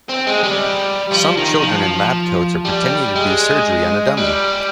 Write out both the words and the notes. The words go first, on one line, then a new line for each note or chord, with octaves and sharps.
Some children in lab coats are pretending to do surgery on a dummy.
C4
G#3
G3
F3
D#3
F3
G3
G#3
G3